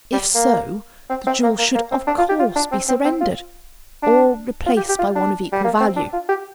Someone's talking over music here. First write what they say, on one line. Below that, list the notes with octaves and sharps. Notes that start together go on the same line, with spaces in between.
If so, the jewel should, of course, be surrendered,--or replaced by one of equal value.
G3
A#3
C4
C4
A#3
A#3
A#3
C4
D4
F4
G4
F4
D4
C4
C4
C4
F4
D4
F4
G4
G4
F4
D4
G3
A#3
C4
D4
F4
G4